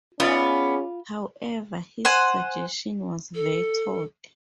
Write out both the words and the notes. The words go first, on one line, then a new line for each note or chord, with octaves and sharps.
However, his suggestion was vetoed.
B3 C#4 D#4 F4 G#4 D5
C5 F#5 G#5
A4